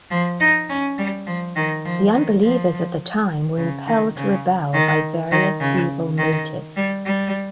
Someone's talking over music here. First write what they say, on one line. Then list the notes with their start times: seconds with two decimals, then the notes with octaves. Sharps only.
The unbelievers at the time were impelled to rebel by various evil motives.
0.11 F3
0.40 D#4
0.69 C#4
0.98 G3
1.27 F3
1.56 D#3
1.85 F3
2.13 D#3
2.43 F3
3.57 C#3
3.87 D#3
4.16 C#3
4.74 D#3
5.32 D#3
5.60 C#3
6.18 D#3
6.77 G3
7.05 G3